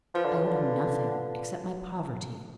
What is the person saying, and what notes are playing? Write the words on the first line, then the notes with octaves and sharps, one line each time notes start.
I owed him nothing, except my poverty.
F3 F4 B4 F5
D3
C#3
D3